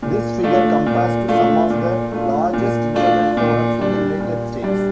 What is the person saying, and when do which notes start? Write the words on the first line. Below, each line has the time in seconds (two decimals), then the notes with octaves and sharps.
This figure compares to some of the largest Internet forums in the United States.
0.03 A#2
0.43 A3 D4 F4
0.86 A#2
1.28 A3 D4 F4
1.70 A#2
2.12 A3 D4 F4
2.53 A#2
2.94 A3 D4 F4
3.37 A#2
3.79 G3 D4
4.20 A#2
4.62 G3 D4